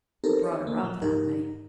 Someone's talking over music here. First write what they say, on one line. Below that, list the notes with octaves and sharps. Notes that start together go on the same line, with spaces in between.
I brought her up that way.
B3 C4 D#4 G4 A4 A#4
C#5 D#5
A#3
A#2 F3 F#3
G#2 D#4 G4 A#4